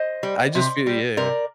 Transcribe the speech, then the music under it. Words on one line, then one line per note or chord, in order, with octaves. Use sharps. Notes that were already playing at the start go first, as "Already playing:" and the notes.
I just feel yeah.
Already playing: C5 D#5
G3
C3
G3
C3 A#4 D5